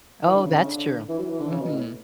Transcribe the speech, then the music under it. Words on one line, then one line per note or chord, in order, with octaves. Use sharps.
Oh, that's true. Mhm.
E3
D3
C#3
C#3
D3
E3
F#3
E3
D3
C#3
B2
A2